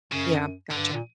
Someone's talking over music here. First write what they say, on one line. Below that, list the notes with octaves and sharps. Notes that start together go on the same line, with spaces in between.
Yeah, gotcha.
F#2 C#3
G2 D3
A#2